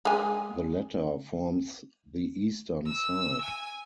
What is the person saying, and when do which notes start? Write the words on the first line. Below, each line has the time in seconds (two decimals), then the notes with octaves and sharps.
The latter forms the eastern side.
0.05 G#3 G#5
2.87 E6
3.41 G#5